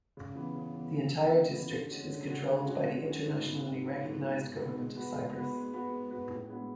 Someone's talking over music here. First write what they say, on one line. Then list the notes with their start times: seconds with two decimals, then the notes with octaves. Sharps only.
The entire district is controlled by the internationally recognized government of Cyprus.
0.17 C#3
0.35 E3 B3
0.55 C#3
0.74 E3 B3
0.94 C#3
1.12 E3 B3
1.31 C#3
1.51 E3 B3
1.69 D3
1.89 G#3 C#4 F#4
2.09 D3
2.28 G#3 C#4 F#4
2.47 D3
2.65 G#3 C#4 F#4
2.85 D3
3.04 G#3 C#4 F#4
3.23 G#2
3.42 G#3 B3 F#4
3.62 G#2
3.81 G#3 B3 F#4
4.00 G#2
4.20 G#3 B3 F#4
4.39 G#2
4.58 G#3 B3 F#4
4.77 G#3
4.96 B3 F#4 B4
5.16 G#3
5.35 B3 F#4 B4
5.54 G#3
5.73 B3 F#4 B4
5.92 G#3
6.11 B3 F#4 B4
6.30 A2
6.49 G#3 B3 D4 F#4